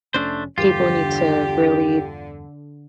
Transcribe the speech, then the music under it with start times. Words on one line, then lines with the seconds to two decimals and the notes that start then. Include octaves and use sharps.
people need to really
0.14 F1 A3 C#4 D4 C5
0.58 E2 G2 D3 F4 G4